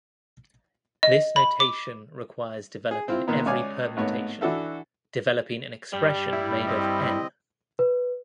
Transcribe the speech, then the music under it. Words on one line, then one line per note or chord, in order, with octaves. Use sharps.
This notation requires developing every permutation, developing an expression made of "n"!
D#5
B5
D6
G#4
C4 E4 F4
A#2 D#3 B3 A#4
C#2 C#5 D5 F5 G#5
G#1 A2 B3 C#5
E3 D4 F#4 A4 E5
G2 G3 G4 D5
E4
C4 D#5
B4